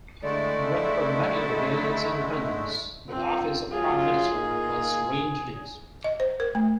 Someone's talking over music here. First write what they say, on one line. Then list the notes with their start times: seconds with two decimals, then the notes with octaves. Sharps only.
When Armenia regained its independence, the office of Prime Minister was reintroduced.
0.23 D3 G#3 A3 E4 A4 D5
3.09 G2 D3 C4 F4
3.71 F#3 A3 F4 G#4
4.30 A#3 D#4 F4
6.04 D#5
6.20 C5
6.40 A#4
6.55 A3